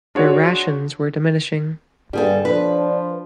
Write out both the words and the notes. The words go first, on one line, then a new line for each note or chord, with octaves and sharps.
Their rations were diminishing.
D4 F4 F#4 G#4 C#5
G2 D3 G3 G#4 A4
F3 D4 B4